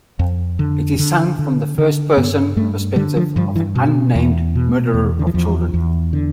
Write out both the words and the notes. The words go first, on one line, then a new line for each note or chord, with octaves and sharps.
It is sung from the first person perspective of an unnamed murderer of children.
F2
D3
D3
D3
D3
G2 B3
G2 A3
D3 G3
F3
G2 F3
E3
B2
E2
B2
E2
D3
E3
E2 F3
E2
D3